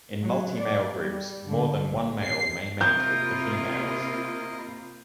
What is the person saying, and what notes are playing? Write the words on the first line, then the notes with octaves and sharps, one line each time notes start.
In multi-male groups, more than one male may mate with the females.
F#3
D5
G3
D3
A#1
C7
C3 A#3 E4 F4 A#4 D#5 G6